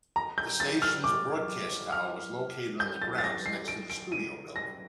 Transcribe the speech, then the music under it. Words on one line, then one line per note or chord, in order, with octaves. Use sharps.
The stations' broadcast tower was located on the grounds next to the studio building.
A#5
G6
A6
F6
D6
F6
G6
A6
A6
A#6
C7
D7
D7
D#7
A#6